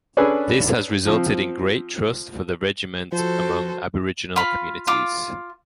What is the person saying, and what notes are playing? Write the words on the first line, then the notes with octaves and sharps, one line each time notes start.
This has resulted in great trust for the regiment among Aboriginal communities.
C#4 D4 G#4 A4 B4
F3 C4
F3 F#4 A4 C5
F4 F5 B5
F4 F5 D6